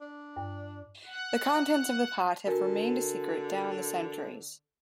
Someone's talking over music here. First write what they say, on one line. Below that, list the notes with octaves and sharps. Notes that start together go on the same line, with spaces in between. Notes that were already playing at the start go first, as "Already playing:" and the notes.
The contents of the pot have remained a secret down the centuries.
D4
G2
F#5
D3 F#4 A#4 G#5